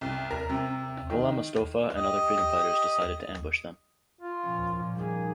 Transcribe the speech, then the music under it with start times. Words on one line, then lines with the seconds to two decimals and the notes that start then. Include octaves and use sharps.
Golam Mostofa and other freedom fighters decided to ambush them.
0.01 C2
0.31 A#4
0.49 C3
1.10 D#3
1.97 G4 D#5
4.21 F4
4.43 A#2 F3 C#4
4.79 A#2
4.95 D#2 G3 G#4